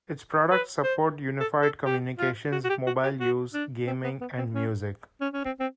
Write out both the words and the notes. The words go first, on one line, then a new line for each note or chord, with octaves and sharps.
Its products support unified communications, mobile use, gaming and music.
B4
C5
A4
A4
G4
F4
F#4
F#4
G4
F#4
G4
F#4
D4
C4
B3
B3
C4
C#4
C#4
C#4
C4
C4